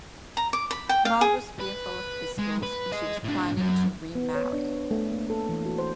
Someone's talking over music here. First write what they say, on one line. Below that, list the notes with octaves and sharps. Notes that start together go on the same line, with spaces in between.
Maude was fearful of pistols and she was planning to remarry.
A#5
D6
B5
G5
F5
G#4
B4
G#3
B4
D#5 G#5
A2 D4
F#3 C#4
B3
C#5
D4
C5
A3
A#3
A4
E3
F#4
C5